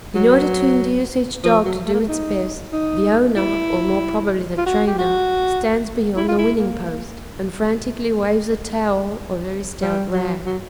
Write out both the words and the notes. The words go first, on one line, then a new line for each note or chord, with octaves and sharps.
In order to induce each dog to do its best, the owner, or more probably the trainer stands beyond the winning post, and frantically waves a towel or very stout rag.
F#3
F3
F#3
A3
A#3
A3
D#4
D#4
E4
F4
F#4
G4
F#4
E4
F4
E4
A#3
G3
F#3
F#3